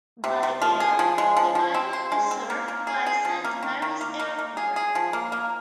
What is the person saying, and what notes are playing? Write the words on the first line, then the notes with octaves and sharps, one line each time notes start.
By air, the island is served by Saint Mary's Airport.
C3
C3
F3
G#4
F3
G#3
F3
F3
C4
C5
G#3
C4
A#3
A#3
G#4
G#4
F3
A#3
D#3
D#3
A#3
A#3
A#3
G#4
G#4
F3
A#3
A#3